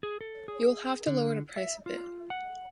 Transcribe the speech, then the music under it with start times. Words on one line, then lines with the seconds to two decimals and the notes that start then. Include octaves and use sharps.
You will have to lower the price a bit.
0.03 G#4
0.21 A4
0.48 G#4
1.07 D3
1.56 E5
1.86 F4
2.30 F#5